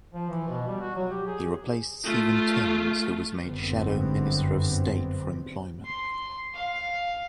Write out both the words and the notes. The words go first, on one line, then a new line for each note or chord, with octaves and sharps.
He replaced Stephen Timms, who was made Shadow Minister of State for Employment.
F3
E3
B2
G3
F#4
F#3
G4
G#4
A3 F4
G1 F#2 D3 B3 C4
C6
F5